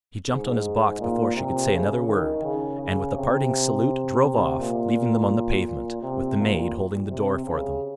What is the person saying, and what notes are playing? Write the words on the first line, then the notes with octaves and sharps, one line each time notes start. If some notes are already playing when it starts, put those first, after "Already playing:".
He jumped on his box before she could say another word, and with a parting salute drove off, leaving them on the pavement, with the maid holding the door for them.
G#2
A#2
C3
C#3
D#3
C#3
C#3
C3
A#2
A#2
C3
A#2
C3
C#3